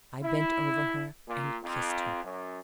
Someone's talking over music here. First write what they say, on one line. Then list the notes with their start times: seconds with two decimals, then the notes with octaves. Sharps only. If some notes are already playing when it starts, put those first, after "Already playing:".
I bent over her and kissed her.
0.22 E4
1.28 A#2
1.63 F2
2.24 F#2